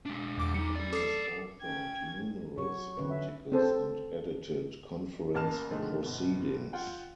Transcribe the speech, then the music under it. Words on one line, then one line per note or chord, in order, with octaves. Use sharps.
He has authored numerous articles and edited conference proceedings.
G#3 D4
E2 D6
G3 D#4 C#7
D5 B5 A6
A4 D6 D#6 C7
C#4 G5 G#6
F#3 F#4 C#5 C#6
D3 C#4 B4
E5
C4 A4 C5
A1 A#3 A5 F6 E7
B2 D3 D#3 F3 G#3 A3
G1 B2
F4 F#5 G5